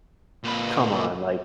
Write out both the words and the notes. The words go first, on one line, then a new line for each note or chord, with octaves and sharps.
come on, like
A#2 B4